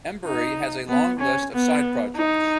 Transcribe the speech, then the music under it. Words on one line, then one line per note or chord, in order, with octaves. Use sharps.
Embury has a long list of side projects.
D#4
B3
C#4
B3
D#4